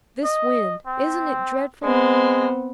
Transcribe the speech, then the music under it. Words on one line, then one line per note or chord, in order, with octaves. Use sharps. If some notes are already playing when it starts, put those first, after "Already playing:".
This wind--isn't it dreadful?
D#5
C4
G#3 B3 C4